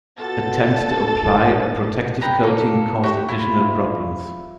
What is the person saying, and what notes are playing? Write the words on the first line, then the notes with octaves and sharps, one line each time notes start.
Attempts to apply a protective coating caused additional problems.
B2 F4 A4 D6 A6
G4 B4 A#5
A#3 A4
F#4 G4
E4 F4